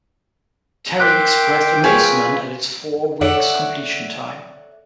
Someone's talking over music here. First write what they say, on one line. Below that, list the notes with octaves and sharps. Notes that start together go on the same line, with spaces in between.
Terry expressed amazement at its four weeks completion time.
A#4 E5 G5 C6 D6 F#6 G6
F4 G#4 B4 C#5 E5 F5
A4 C#5 D5 E5 F#5